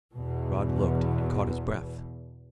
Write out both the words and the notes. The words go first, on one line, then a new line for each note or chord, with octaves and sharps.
Rod looked, and caught his breath.
E2 B2